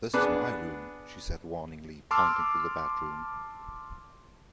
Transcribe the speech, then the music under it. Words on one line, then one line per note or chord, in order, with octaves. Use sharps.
"This is my room," she said warningly, pointing to the bedroom.
B3 D4 G#4 B4
A5 C6 D6 E6 F6